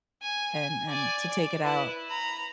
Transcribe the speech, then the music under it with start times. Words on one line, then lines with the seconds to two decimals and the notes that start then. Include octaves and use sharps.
and and to take it out,
0.22 G#5
0.54 G#5
0.88 D5 G#5
1.29 D5
1.63 E4 B4
2.08 A#5 B5